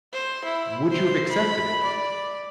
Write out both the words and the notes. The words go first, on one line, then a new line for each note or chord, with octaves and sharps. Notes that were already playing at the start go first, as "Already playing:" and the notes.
would you have accepted it?
C5
E4
C5
B5
D5